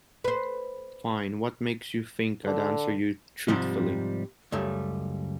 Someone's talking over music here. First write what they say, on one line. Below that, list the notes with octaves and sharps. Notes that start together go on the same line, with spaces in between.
Fine, what makes you think I'd answer you truthfully?
B4 C5
D3
G#2 C3 F3 G3
C#2 F#2 G3 A3